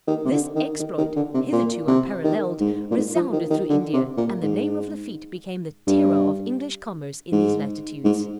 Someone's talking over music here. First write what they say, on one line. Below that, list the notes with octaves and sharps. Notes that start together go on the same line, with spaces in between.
This exploit, hitherto unparalleled, resounded through India, and the name of Lafitte became the terror of English commerce in these latitudes.
D#3
C3
D3
D#3
D#3
D#3
D3
C3
A#2
C3
D#3
G#2
A#2
G#2
F3
D#3
D#3
D3
C3
A#2
G#2
G2
G#2
G#2